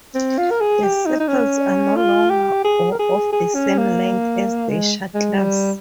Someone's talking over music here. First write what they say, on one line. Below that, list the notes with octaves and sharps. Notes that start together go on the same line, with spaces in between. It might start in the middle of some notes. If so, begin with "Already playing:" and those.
The sepals are longer or of the same length as the shuttles.
C4
F4
A#4
G#4
G4
D#4
D#4
C#4
F4
G4
G#4
A#4
G#4
G#4
C#4
A#3
G#3
G#3
G3